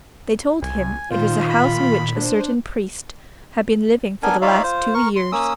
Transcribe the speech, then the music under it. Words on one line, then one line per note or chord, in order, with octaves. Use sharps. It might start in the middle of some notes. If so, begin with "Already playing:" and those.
They told him it was a house in which a certain priest had been living for the last two years.
C2 G#5
A#2 D#3 F4 C5
B5
D4 C5
B3 D4 A#4 G#5
D#4 F4 C#5 D5 E5 F5
F4 C5
A#4 C#6
C6
A#3 C#4 D#6 E6